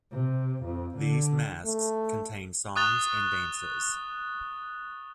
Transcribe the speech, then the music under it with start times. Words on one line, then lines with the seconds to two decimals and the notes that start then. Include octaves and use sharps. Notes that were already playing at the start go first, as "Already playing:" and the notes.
These masques contained songs and dances.
0.12 C3
0.64 F2
0.98 D3
1.65 A3
2.76 C#6 D#6 F#6 A6 F7 G7